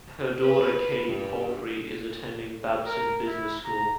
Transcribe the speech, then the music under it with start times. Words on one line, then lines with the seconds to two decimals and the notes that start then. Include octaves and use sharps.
Her daughter Katy Palfrey is attending Babson Business School.
0.41 B4
1.07 G2
2.86 A#4
3.27 E4
3.65 A#5